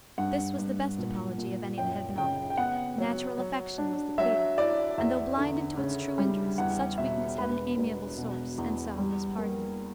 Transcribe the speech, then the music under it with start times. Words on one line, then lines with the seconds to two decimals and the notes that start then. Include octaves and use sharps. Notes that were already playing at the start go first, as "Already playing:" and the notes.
This was the best apology of any that had been offered; natural affection was the pleader; and though blinded to its true interest, such weakness had an amiable source, and so was pardoned.
0.18 G2 F#5
0.58 G2
0.98 A#2
1.38 A#2
1.78 F#2 G5
2.18 C#3 G5
2.50 G5
2.58 B3 F#5
2.98 F#3
3.38 F#3
3.78 D4
4.18 F#3 E5
4.58 E4 D5
4.98 E2 E5
5.38 D3
5.77 C#3
6.18 G3
6.58 E2 F#5
6.98 B2 E5
7.38 E1 B4
7.78 E1
8.18 B2
8.58 E2
8.98 G3
9.38 A#3